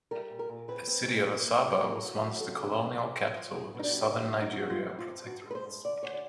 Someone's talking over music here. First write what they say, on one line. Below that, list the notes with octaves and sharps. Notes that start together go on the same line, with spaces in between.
The city of Asaba was once the colonial capital of the Southern Nigeria Protectorate.
G3 A#4
A#2
A#4
A#2
C4 B4
C4
A#2
A#3
A#3
F#3
B4
A#3 A#4
F#3
F#3
F2 A4
C#3
F2
F2
F3
F3
B2 G#4
B2 D#4
D4
G3
G3 D#4
B2
D#4
B2
F#4
G2 F4
C4
F4
G2
G2 F#4
G#3 B4
C5
G2
D2 D5
D2 C#5
D5